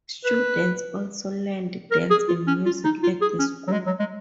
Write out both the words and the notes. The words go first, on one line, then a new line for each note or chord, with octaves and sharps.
Students also learned dance and music at the school.
B4
A#4
G#4
F4
C#4
F4
D#4
F4
G#4
C#4
F#3
G#3
F#3
G#3